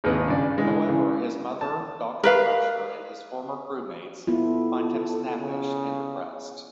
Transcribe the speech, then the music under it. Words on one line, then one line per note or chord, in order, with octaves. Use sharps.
However, his mother Doctor Crusher and his former crewmates find him snappish and depressed.
G#1 D#2 B4 D#5
G2 C#3 D5
D3 E3 G#3
C#3 E3
A5
A#4 B4 F5
B3 E4 F4 A4
C#3